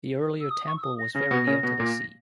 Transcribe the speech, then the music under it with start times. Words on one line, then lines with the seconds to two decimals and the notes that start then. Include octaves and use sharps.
The earlier temple was very near to the sea.
0.41 E6
0.50 D#6
0.67 C#6
0.77 E6
0.82 D#6
0.99 A#6
1.14 C#3 C#4 A#6
1.31 B2 B3
1.47 C#3 C#4
1.63 B2 B3
1.79 A#2 A#3